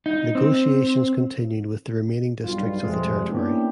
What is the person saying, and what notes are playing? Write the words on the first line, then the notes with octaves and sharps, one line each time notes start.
Negotiations continued with the remaining districts of the territory.
D#4
C4
B1 G2 B2 G3 F4
F2 C3 G3 G#3
A#3 B3 C#4 D4 E4 G4